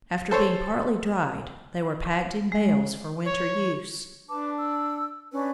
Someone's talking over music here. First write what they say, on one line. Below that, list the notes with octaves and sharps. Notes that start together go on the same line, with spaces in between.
After being partly dried they were packed in bales for winter use.
A4 C5 C#5
G#3
C#5
D4 B4 A5 D6
E6
C#4 D4 B4